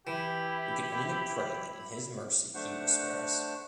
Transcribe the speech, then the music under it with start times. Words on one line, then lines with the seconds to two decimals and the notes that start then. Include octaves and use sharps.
We can only pray that in His mercy He will spare us.
0.07 E3 E4 G4 B5
2.54 A3 D4 C5 F#5